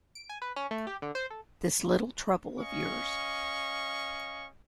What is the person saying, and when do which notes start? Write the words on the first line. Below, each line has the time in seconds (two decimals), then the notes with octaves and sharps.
This little trouble of yours.
0.15 D7
0.29 G#5
0.42 B4
0.56 C#4
0.71 A3
0.87 G4
1.02 D3
1.15 C5
1.30 A4
2.60 C#4 D#5 F5 C#6